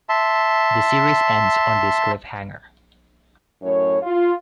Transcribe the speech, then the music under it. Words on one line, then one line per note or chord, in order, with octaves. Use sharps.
The series ends on this cliffhanger.
E5 A5 C6
F#2 A2 C#5
F4